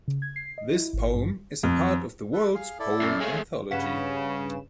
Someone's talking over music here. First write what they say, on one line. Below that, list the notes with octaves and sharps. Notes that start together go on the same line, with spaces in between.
This poem is a part of the world's poem anthology.
C#3
G#6
C7
D#5
E4
G#1
G2
F2
A4 B4
G#4 F5
E4 A4 D5
F#2
G#3 A3 C#5 F5 G#5
G2 C#3 C#4 B4 F5 F#5 B6 E7